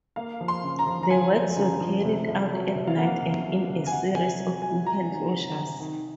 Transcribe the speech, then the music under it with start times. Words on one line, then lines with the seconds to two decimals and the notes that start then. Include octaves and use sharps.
The works were carried out at night and in a series of weekend closures.
0.16 A#3 F5
0.40 F3
0.48 C6
0.64 C#3
0.79 A#5
0.87 F3
1.03 A#5
1.10 F3 G#5
1.34 F3
1.57 C#3
1.81 F3
2.04 C3
2.27 C2
2.51 F#3
2.75 C3
2.87 F5
2.97 A#3 F#5
3.22 C2
3.45 F#3
3.69 C3
3.86 G#5
3.91 C3 F#5
4.15 C3 G#5
4.39 F#3
4.62 F#3 G#5
4.86 F#3 A#5
5.10 D#3
5.33 C3
5.57 C3
5.80 D#3